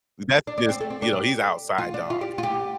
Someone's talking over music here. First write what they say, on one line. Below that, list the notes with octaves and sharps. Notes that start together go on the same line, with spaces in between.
That's just you know, he's outside dog.
D4
D4
C4
A3
C4
D4
G4
F4
D4
F4
G4
F4
G4